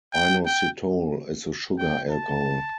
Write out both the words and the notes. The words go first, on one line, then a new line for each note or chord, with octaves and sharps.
Inositol is a sugar alcohol.
G5
G5
G5
A5